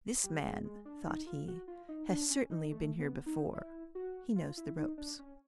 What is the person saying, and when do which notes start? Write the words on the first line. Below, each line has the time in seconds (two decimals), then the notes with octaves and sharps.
"This man," thought he, "has certainly been here before; he knows the ropes."
0.24 G3
0.44 G#3
0.65 G#3
0.85 D4
1.06 D#4
1.27 F4
1.48 F#4
1.68 F4
1.89 D#4
2.09 D4
2.30 C#4
2.50 D#4
2.71 A3
2.99 B3
3.26 D#4
3.54 E4
3.95 F#4
4.36 F4
4.57 E4
4.78 D#4
4.98 D4
5.19 C#4